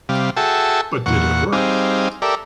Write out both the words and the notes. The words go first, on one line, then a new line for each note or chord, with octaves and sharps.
But did it work?
C3 G3 F5
F#4 G#4 A4 E5 G5 A5
E2 A#2 F#5 C#6
G3 C4 D#4 G#4 F5
G4 A4 A#4 D5 E5